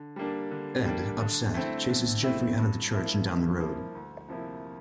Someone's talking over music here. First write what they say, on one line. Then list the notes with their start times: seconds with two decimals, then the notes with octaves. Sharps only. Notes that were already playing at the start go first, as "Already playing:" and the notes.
Ed, upset, chases Jeffrey out of the church and down the road.
Already playing: D3
0.16 G3 A#3 D4
0.51 D3
0.85 G3 A#3 D4
1.20 D3
1.54 A3 C4 E4
1.88 D3
2.23 A3 C4 E4
2.57 G2
2.91 F3 A#3 E4
3.25 G2
3.59 F3 A#3 E4
3.95 D2
4.28 C3 F3 A#3 E4